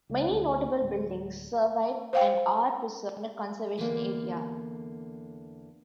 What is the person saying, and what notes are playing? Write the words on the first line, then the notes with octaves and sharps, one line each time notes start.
Many notable buildings survive and are preserved in a conservation area.
C#2
D2
D1
C5 F5 G5
E2 D3 A#3